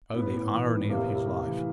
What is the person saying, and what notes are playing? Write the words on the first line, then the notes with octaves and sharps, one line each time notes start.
Oh, the irony of his life!
A2 B3
A2
E3
A2
C3 A#3
C3
C3
E3